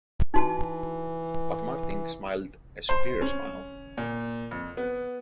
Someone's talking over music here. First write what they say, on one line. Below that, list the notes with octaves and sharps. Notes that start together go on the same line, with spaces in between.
But Martin smiled a superior smile.
E3 D#4 F#4 A5
C5
C#4
A#2
F2
B3